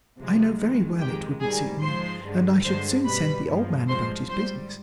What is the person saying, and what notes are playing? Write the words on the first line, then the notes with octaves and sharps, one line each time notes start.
I know very well it wouldn't suit me, and I should soon send the old man about his business.
C3 F3 G#3
F2 D#3 G#3
F2 D#3 G#3 G4 G5
G#2 D#3 G3 G#4 G#5
G#2 F3 G#3 C5 C6
G2 D3 G#3
G2 D3 G#3 C5 C6
B2 G3 B4 B5
G2 F3 G#3
G2 F3 G#3 C5 C6
G#2 G3 C5 C6